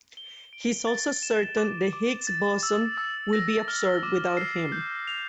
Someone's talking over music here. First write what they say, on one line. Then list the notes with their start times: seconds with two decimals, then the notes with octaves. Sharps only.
He is also certain the Higgs boson will be observed without him.
0.17 G7
0.53 D7
0.87 A6
1.23 E7
1.57 D6
1.93 D6
2.27 A6
2.63 E6
2.98 E6
3.33 A#6
3.68 F6
4.03 D6
4.37 C7
4.72 G6
5.07 F7